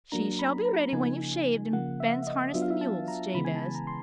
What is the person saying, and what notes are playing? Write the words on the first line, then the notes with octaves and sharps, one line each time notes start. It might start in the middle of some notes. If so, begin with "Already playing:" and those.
"She shall be ready when you've shaved and Ben's harnessed the mules, Jabez."
F#3 A#3 D4 A#5
B5
A#5
C#3 F3 A#3 D#4 G#5
C#3 F3 A#3 F#5
E5
E5
D#5
F#3 B3 D4 F4 E5
F5
E5
A5
A#5
C#3 E3 G#3 B3 B5
G#5
A5
A#5
C6